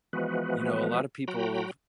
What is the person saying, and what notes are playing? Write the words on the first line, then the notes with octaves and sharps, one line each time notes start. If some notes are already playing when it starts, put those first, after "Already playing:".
you know, a lot of people,
E3 F3 G#3 B3 F#4 B4
F#3 F#4 G5 A#5 B5